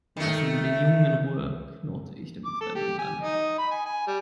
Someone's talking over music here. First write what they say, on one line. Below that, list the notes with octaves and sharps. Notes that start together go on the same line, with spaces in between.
"Lassen Sie den Jungen in Ruhe", knurrte ich den Fremden an.
D#3 A3
E5
D6
A4
G4
G#5
D#4
B5
G#5
G#5
G3